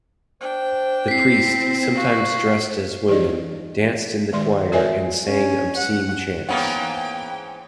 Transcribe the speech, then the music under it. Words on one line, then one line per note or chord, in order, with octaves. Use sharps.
The priests, sometimes dressed as women, danced in the choir and sang obscene chants.
D4 C5 G5
C4 E4 B6 C7
F#4 F5
C5
E3 D#4 G4 G#4 D5 D#5
D#3 G#3 D5 C6
F#4 A#4 C#5 D5 E5 G#5
C#4
F#5
G#2 E3 A#3 B3 C#4 F#5 G5